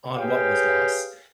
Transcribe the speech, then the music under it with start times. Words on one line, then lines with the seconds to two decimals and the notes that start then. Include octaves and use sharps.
on what was lost,
0.16 G4 G#4 B4 C#5 F5 G5